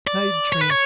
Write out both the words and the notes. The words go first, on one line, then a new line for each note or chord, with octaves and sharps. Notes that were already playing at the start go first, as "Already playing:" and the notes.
They drink!
D5
C#5
B4
C#5